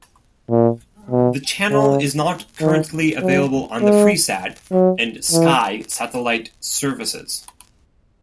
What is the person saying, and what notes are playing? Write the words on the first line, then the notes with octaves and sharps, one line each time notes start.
The channel is not currently available on the Freesat and Sky satellite services.
A#2
B2
C#3
D#3
F#3
G#3
F#3
E3